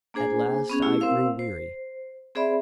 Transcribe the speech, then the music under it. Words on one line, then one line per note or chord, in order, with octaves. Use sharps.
At last I grew weary.
A#3 D4 G#4 C5 G#5
B3 C#4 G#4
A3 E4 G4
C4 A#4 C5 F5 E6
C5
C4 G#4 C5 D5 E5 B5